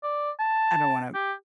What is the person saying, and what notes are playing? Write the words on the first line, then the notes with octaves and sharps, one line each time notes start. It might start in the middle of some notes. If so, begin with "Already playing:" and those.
I don't wanna
D5
A5
G4